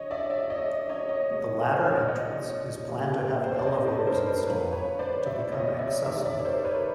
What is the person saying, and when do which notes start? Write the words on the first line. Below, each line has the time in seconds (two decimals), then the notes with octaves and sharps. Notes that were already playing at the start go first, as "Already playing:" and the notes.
The latter entrance is planned to have elevators installed to become accessible.
Already playing: D3 F#3 C#5 D#5
0.10 D5 E5
0.30 D5 E5
0.50 C#5 D#5
0.89 C#5 D#5
1.09 C#5 D#5
1.29 B2 G#3
1.73 C5
1.85 C#5
1.96 D5
2.08 C#5 D#5
2.88 A#2 G3
3.44 C5
3.52 C#5
3.59 D5
3.67 C#5 D#5
3.87 A4 B4
4.07 A#4 C5
4.26 A#4 C5
4.46 D3 F3 G#3 B4 C#5
4.72 B4 C#5
4.99 C5 D5
5.26 D5 E5
5.52 C#5 D#5
5.78 D5 E5
6.05 C3 D#3 G#3 D5 E5
6.25 D5 E5
6.39 C#5
6.45 A#4 C5
6.64 B4 C#5